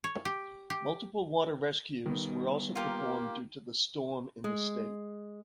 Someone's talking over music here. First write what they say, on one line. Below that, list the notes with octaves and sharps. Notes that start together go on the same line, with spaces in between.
Multiple water rescues were also performed due to the storm in the state.
C#5
G4
G4
D#3 G3 B3
A#3 F4 G4 A#4
G#3